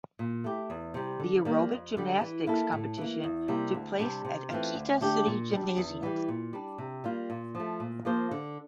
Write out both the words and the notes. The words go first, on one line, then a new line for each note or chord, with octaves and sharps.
The aerobic gymnastics competition took place at Akita City Gymnasium.
A#2
A3 E4 G4
E2
C3 G3
D3
G3 A#3
F2
D3 G3
E3
A#3 E4 A4
A2
E3 A#3
E2
C3 G3 A#3
D2
C3 G3 D4
C3
E3 A3 C4 F4
D2
D3 A3 D4 G4
A#2
G3 D4
E2
E3 G3
A#2
G3 D4
C3
G3 A#3 F4
A#2
F3 A3
A#2
F3 A#3 F4 C5
D3